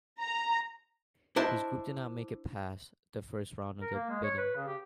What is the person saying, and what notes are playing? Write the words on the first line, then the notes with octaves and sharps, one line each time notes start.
His group did not make it past the first round of the bidding.
A#5
D4 E4 C5 D#5 A5
A#4
A#3
G#3
C#5
B4
C#3
G4